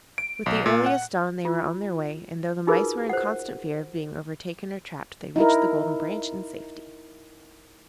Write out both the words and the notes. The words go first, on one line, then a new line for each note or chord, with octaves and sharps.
With the earliest dawn they were on their way, and though the Mice were in constant fear of being overtaken or trapped, they reached the Golden Branch in safety.
D7
B1
A#2
F#5
F4
D#4 F4 F#4 G#4 A#4 B4
C5 F#5
D#4 E4 A#4